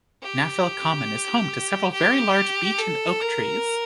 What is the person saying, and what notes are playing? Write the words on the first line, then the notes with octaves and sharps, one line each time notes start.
Naphill Common is home to several very large beech and oak trees.
G4
G4
A4
A#4